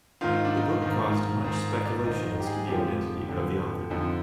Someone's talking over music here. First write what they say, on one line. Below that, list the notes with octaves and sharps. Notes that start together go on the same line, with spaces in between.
The book caused much speculation as to the identity of the author.
G#2 D#3 F4
D#4
D4
D#4
G#2 D#3
G#2 D#3
D5
G#2 D#3 D#5
D#5
G4
G#4
F2 D3 F3 G4
F2 D3 F3
F2 D3 F3 D#4